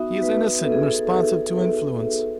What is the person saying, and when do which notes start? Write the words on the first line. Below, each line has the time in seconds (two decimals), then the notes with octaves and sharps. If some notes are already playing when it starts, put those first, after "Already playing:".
He is innocent and responsive to influence.
Already playing: B3 D#4 F#4 E5
0.23 B4
0.61 A4
0.72 G#4
0.83 A4